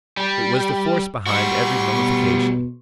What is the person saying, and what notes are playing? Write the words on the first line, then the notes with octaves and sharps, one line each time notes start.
It was the force behind every mummification.
G3
G3 F#4 C6 C#6
B2